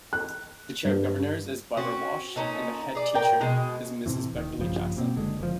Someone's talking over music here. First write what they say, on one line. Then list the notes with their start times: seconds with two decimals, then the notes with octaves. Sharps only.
The Chair of Governors is Barbara Walsh and the Headteacher is Mrs Beverley Jackson.
0.13 F#6
0.84 G2
1.77 C4 C#4 F#4
2.36 A#2 C#4 D#4 A4
2.95 G#4 D5
3.15 A2 A#4 G5
3.41 B2 G#3
4.06 A2 C3 E3
4.33 D#1 D#3
4.58 A#1 G2 C#3 F3
4.97 B2 A#3 C4
5.16 F#1 D3 G#3
5.39 F#1 F3